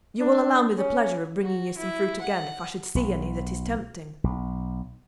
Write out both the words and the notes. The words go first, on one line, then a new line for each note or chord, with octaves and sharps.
You will allow me the pleasure of bringing you some fruit again, if I should see any that is tempting.
D4
C#4
F#4
E4
F#5
B1
B1